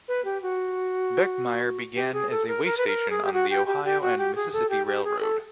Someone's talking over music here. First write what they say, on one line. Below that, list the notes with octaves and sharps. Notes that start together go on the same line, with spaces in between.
Beckemeyer began as a way station on the Ohio and Mississippi Railroad.
B4
G4
F#4
G4
G#4
A4
A#4
A#4
B4
A#4
G#4
G4
F#4
G4
G4
G4
F#4
G4
G#4
A4
G4
G4
G#4
A4